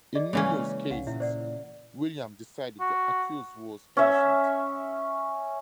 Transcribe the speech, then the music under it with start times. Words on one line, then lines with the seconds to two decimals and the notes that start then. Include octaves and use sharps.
In numerous cases Willam decided the accused was innocent.
0.15 G#4 D5 D#5
0.33 C#3 E3 G#3 A#3 C#4 G#4 F5
0.91 C2 F5 F#5
1.07 A#2 E4 E5
1.20 C5 D5 F#5
2.80 F#4
3.97 C#4 E5